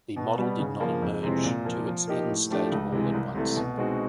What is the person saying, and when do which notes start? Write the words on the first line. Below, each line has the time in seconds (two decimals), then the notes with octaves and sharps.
The model did not emerge to its end state all at once.
0.16 B2
0.38 G3 B3
0.59 C#3
0.80 F3 A#3
1.02 F2
1.23 C3 E3 G#3 C4
1.44 A#2
1.65 F3 A#3
1.87 F3
2.07 A#3 D#4 G4
2.29 A2
2.51 F3 A3 D4 G4
2.71 C#2
2.92 C3 E3 G#3
3.13 C2
3.35 C3 E3 A3
3.56 B2
3.77 G#3 C4 D#4 F#4